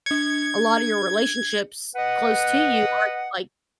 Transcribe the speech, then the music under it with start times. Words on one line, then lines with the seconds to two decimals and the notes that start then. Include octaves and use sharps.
a lotta your relationships close to you are, like,
0.06 D4 G#6 C#7
1.96 B4 D#5 F#5